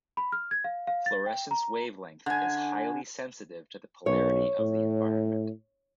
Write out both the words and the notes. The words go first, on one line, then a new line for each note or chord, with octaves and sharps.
Fluorescence wavelength is highly sensitive to the polarity of the environment.
B5
F6
G#6
F5
F5
A6
G5
A#5
D3 G#5
B1 C#5
A2